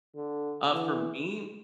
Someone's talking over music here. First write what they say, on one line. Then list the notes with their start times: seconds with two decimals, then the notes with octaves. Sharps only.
Uh, for me,
0.16 D3
0.72 E3